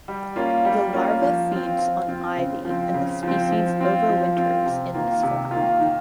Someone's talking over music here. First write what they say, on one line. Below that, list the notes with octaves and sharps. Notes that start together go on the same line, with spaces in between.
The larva feeds on ivy and the species overwinters in this form.
G3
A#3 C#4 F4
G3
A#3 C#4 F4
F3
C4 F4
F3
C4 F4
C#3
F3
C4
C#3
F3
C4
F3
C4 F4
F3
C4 F4
C3
D#3 A#3 F4
C3
D#3 A#3 F4
D#3